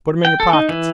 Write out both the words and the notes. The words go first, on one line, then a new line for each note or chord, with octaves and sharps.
"Put 'em in yo' pockets."
G5
A4
D#4
E3